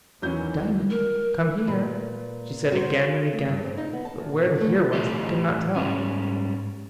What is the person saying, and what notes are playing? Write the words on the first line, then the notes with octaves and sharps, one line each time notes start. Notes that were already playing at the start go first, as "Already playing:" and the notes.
"Diamond, come here," she said again and again; but where the here was he could not tell.
E2 D#3 E3 F#3 C#4 G6
A#4
A#2 B4
F#4 A#4 C5
A3
G2
C4
D#4
B3
A5
E2
B2
D3
A3
F3
A2 E3 F4 G4 D#5
G#2 G3 C#4